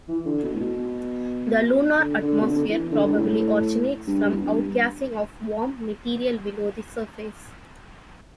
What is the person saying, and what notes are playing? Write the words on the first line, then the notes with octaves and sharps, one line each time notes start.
The lunar atmosphere probably originates from outgassing of warm material below the surface.
E3
D3
B2
A2
B2
D3
D3
B2
D3
E3
D3
G2
A2
G2
E2
G2